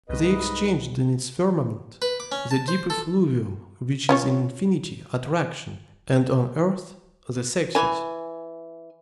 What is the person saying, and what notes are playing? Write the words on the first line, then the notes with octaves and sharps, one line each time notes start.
They exchanged in its firmament the deep effluvium which is in infinity attraction, and on earth the sexes.
C2 G#2 B4 D#5
B4
D6
C#4
A5
C5
A4
C#4 F4 C#5
E3 G#5